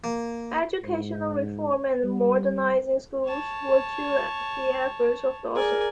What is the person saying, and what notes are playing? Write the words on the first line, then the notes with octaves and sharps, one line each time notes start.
Educational reform and modernizing schools were two key efforts of Dosan.
A#3
G#2
G3
C#5 A5
G#4 A#4 D5 G#5